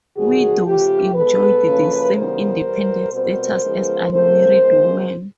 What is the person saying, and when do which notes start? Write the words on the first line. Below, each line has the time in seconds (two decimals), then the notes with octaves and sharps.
Widows enjoyed the same independent status as unmarried women.
0.15 D2 C3 D#3 G3 F#4 G#4
0.64 C#3 F3 A3 F4 G4
1.14 B2 G#3 B3 A4 B4
1.63 F#2 C#3 F3 A#3 C#4
2.13 C#3 E3 G3 B3 A#4 C5
2.62 E2 B2 G3
3.11 B2 G3 C4 A#4 C5
3.61 C#3 F3 G#3 B3
4.10 C#3 F#3 A3 C4 A#4 C5
4.60 C#3 F3 G#3 B3